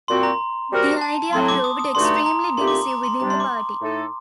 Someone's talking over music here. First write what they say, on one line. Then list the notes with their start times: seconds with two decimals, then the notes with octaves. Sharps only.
The idea proved extremely divisive within the party.
0.08 A#2 G3 C4 F#4 C6
0.23 A#5
0.71 G3 C4 F#4 A#4
1.01 A5
1.32 A2 F#3 C4 C6
1.48 D6
1.64 D#6
1.79 D#6
1.95 G2 D3 A3 D#4 F#4 C6
2.05 A#5
2.16 A#5
2.26 A#5
2.57 A#2 A3 C4 D#4 G4 C6
2.68 D6
2.88 A#5
3.03 C6
3.20 C3 G3 D4 A#5
3.30 C6
3.40 D6
3.81 A2 A3 D#4 A4